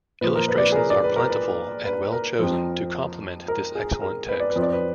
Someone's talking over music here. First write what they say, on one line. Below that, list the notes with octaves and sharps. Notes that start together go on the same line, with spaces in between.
Illustrations are plentiful and are well chosen to complement this excellent text.
A#2 F3 B4
A#4
B4
D5
B4
G#4
A#4
D5
B4
A#4
B4
B4
A#4
F2 F3
A#4
G#4
A#4
B4
D5
B4
F2 F3
D5
B4